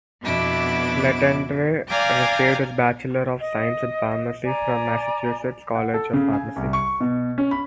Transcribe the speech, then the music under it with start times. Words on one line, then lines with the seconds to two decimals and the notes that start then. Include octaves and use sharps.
Letendre received his Bachelor of Science in Pharmacy from the Massachusetts College of Pharmacy.
0.23 F2 B2 B3 D4 E4 D6
1.90 D5 F5 G5 G#5 A#5 D6
3.39 D#5
4.44 D5 G#5 A#5
5.75 F#5
5.94 A4
6.13 C#3
6.33 G#5
6.56 C2
6.73 C#6
7.00 B2
7.38 C#4
7.51 B5